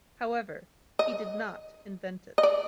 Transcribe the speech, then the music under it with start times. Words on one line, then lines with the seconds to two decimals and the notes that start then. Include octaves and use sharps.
However, he did not invent it.
0.99 D#5
2.38 D#5
2.43 D5